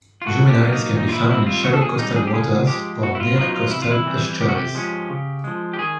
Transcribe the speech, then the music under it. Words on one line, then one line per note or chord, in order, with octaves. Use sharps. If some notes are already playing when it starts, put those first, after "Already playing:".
Juveniles can be found in shallow coastal waters or near coastal estuaries.
F4
A2 F#4
G4
F#3 A#3
D#4
A#2 D#4
F4
E4
G3 C4 D#4 E4
F4
A#2 F#4
A4
G#4
G3 C4 D#4
G#4
G4
C#3 G#4
F3 G#3 G4
B2 F#4
E4
F4
F#3 B3 D#4 F4
F4
C3 E4
F4
E4
E3 G3 C4
C3 G4
F#4
G4
F3 G#3 C#4
C#3
F3 G#3
G4
D#3 G#4